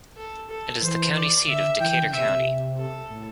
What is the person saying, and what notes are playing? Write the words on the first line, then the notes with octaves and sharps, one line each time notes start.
It is the county seat of Decatur County.
A4
A4
E3 C5
D5
D3 E5
E3 G5
E3
D3
C3 E5
C3
A4
A2